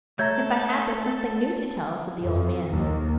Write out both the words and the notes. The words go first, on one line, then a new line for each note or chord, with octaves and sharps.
"If I had but something new to tell," said the old man.
A3 A4 C#5 E5 A#5 G6 G#6
F2
D#2